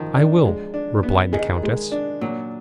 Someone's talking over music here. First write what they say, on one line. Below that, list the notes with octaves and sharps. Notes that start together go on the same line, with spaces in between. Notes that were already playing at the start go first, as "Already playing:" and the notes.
"I will," replied the countess.
Already playing: D#3 F3
D4
G#3
D4
B3
D#3 G#4
G#3
D4
A#2 F#3